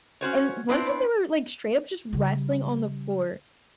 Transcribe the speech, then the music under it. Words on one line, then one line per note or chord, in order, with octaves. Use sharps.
I and one time they were, like, straight up just wrestling on the floor,
C#4 F#4 C5 C#5
B3 C4 D4 E4 B4 C5
C#3 G3